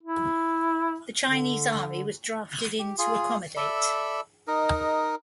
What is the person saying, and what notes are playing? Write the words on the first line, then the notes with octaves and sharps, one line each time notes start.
The Chinese army was drafted in to accommodate.
E4
D3
G4
F4 G#4
A4 D5 E5 B5
D#4 A#4 D#5